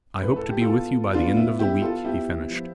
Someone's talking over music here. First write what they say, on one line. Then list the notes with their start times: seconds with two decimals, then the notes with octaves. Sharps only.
"I hope to be with you by the end of the week," he finished.
0.22 A2 B4
0.36 A4
0.49 G4
0.61 F4 A4
0.69 B3
1.13 B3 D4 F4
1.37 E4
1.59 B3 E4 G4
1.82 F4 A4
2.05 B3 E4 G4
2.50 F3